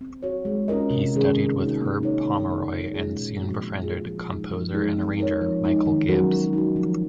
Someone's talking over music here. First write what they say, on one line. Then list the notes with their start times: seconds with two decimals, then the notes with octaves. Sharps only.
He studied with Herb Pomeroy and soon befriended composer and arranger Michael Gibbs.
0.01 C4
0.23 F#4 C#5
0.45 G#3
0.68 C#4 F4 A#4 D#5
0.90 C3
1.13 D#3 G#3 C#4 G#4
1.36 C4
1.58 D#4 F#4
1.81 A#3
2.03 D#4 A#4 C#5
2.25 D#3
2.49 A#3 D#4
2.71 C#3
2.93 G#3 C#4 F4 G#4
3.16 A#2
3.38 F3 G#3 C4 F#4
3.61 A#3
3.83 F4 G#4
4.06 F3
4.28 G#3 D#4
4.51 F3
4.74 G#3 D#4 G#4
4.97 C4
5.18 D#4 A#4 C#5
5.41 F3
5.63 G#3 D#4
5.86 D#3
6.08 F#3 C#4 F#4 A#4
6.31 G#3
6.53 D#4 F#4
6.76 F3